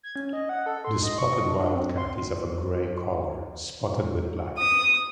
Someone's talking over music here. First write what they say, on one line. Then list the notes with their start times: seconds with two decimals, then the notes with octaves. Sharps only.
The spotted wildcat is of a grey colour, spotted with black.
0.03 G#6
0.16 C#4
0.33 D#5
0.49 F#5
0.66 A4
0.85 C6
1.03 D#5
1.18 C#6
1.33 D#5
1.47 D4
1.75 C4
1.97 C6
4.58 D#6